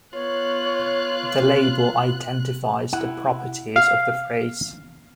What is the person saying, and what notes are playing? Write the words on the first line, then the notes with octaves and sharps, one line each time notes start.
The label identifies the properties of the phrase.
B3 F4 C#5 F#6
E4 F#5
F5